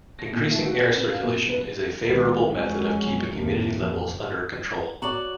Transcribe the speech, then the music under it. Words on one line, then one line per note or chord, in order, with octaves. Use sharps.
Increasing air circulation is a favourable method of keeping humidity levels under control.
A#6
A#2
A3
F#4
B4
C#3
F5
A#2
B2
B4
C#2 D#3 B3
F1 F#3 G#3 C#4
F#1 D#2 A2 C3 A3 A#3
F1 C#3 E3 F3
F#4 C#5 D5 A#5 F#7